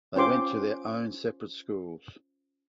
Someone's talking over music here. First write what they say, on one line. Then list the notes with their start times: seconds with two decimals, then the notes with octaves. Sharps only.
They went to their own separate schools.
0.16 C#4 F4 C5 G5 C6 D6